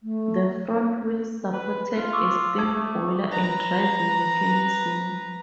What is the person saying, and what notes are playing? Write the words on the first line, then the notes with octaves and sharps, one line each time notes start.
The front wheel supported a steam boiler and driving mechanism.
A3
B4
F4
C#6 D6 E6
A5 D#6 G#6
A3
B4 A#5